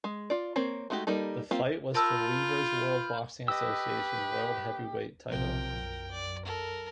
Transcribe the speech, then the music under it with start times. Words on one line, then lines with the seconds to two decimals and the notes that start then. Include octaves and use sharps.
The fight was for Weaver's World Boxing Association world heavyweight title.
0.04 G#3
0.30 F4 D5
0.56 A#3 C4 C5 C#5
0.90 G#3 A3 D#4 F#4 G4
1.07 G3 A#3 D#4 A4
1.51 A#3 C4 F4 G4
1.94 F4 A#4 A5 B5 E6 F6 G6
3.48 G4 B4 D#5 E6
5.29 B1 C3 F3 A#4 G5
5.78 F#2
6.12 D5
6.46 A4 A#4